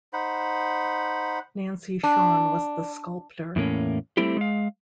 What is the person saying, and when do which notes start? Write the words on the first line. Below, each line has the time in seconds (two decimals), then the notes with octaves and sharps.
Nancy Schon was the sculptor.
0.13 D#4 C5 F#5 B5
2.03 D4
3.56 E2 A2 A#3 C#4
4.17 G3 A3 C4 E4 G4
4.37 G#3 F5